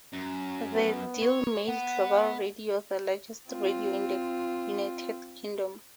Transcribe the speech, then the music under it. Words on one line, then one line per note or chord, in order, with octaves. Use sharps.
The deal made Global Radio the largest radio group in the United Kingdom.
F#2
B3
C#5
B3 F#5
C4 F4